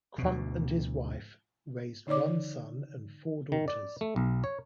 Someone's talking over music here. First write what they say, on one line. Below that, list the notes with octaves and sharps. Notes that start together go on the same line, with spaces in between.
Crump and his wife raised one son and four daughters.
D2 B2
D3 D#4 C#5 D5 D6
D#3
D5
A3
B1
C#5